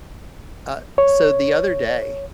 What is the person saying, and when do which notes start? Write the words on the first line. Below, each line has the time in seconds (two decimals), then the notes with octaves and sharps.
Uh, so the other day,
0.98 C#5